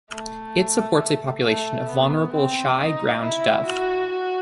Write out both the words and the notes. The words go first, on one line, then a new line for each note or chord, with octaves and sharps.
It supports a population of vulnerable Shy Ground-dove.
A3
A3
B3
C4
D#4
E4
F#4
F#4